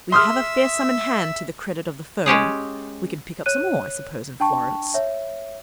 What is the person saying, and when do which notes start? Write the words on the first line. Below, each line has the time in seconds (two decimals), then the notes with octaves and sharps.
We have a fair sum in hand to the credit of the firm; we can pick up some more, I suppose, in Florence.'
0.12 E5 C6 D#6 F6
2.26 G#3 C#4 G4 G#4
3.46 C#5 F#6 D#7
4.40 D4 G5 A5 C#6
4.94 C#5 E5